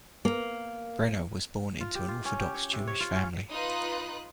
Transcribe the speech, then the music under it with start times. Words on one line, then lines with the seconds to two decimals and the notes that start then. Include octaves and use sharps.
Brenner was born into an Orthodox Jewish family.
0.25 A#3
1.81 F4
1.95 G4
2.08 F4
2.25 C#4
2.40 G4
2.54 C#5
2.73 C3
2.87 C#5
3.00 F4
3.15 C#4
3.50 D#4 F4 B4 D#6 F#6